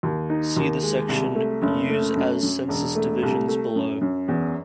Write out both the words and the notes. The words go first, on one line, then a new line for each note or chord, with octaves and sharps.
See the section "Use as census divisions" below.
D#2
D#4
D#2
G#3
C2
A3
F#1
A3
F#2
F#2
E1
A3
C2
A3
F#2
F#2
E2